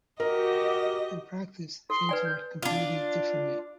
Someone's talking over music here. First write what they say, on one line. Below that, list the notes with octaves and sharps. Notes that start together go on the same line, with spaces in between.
In practice, things worked completely differently.
F#4 G4 A#4 D#5
A4 C6
B4 D5 G#5
G6
D4 F4